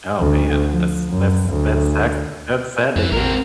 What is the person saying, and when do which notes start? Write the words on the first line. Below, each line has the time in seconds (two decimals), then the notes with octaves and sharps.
Oh, man. That's that's that sucks that's sad to hear.
0.19 D2
0.70 F3
1.11 F#2
1.51 D2
2.96 F2 E3
3.12 A#1 C4 A#4